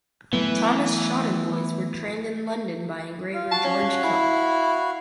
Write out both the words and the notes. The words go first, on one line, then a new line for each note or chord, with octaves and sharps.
Thomas Shotter Boys were trained in London by engraver George Cooke.
E3 F#3 A3 B3
F4
F#4 F5 A5
C#4
E4